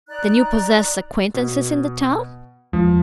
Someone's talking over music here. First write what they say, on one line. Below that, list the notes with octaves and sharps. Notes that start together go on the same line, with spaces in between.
"Then you possess acquaintances in the town?"
D#4 D5 A#5 F#6
B2
E2 F3 G#3 D4